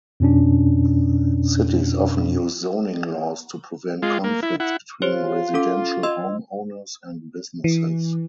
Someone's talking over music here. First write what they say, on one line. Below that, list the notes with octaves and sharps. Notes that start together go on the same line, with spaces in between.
Cities often use zoning laws to prevent conflicts between residential homeowners and businesses.
F2 B2 C#4 D4
G#3 F4
A#3
E4
E4 F#5
F4 G4 C5 C#5
C#4 A4 D6
D#5 C6 E6
E3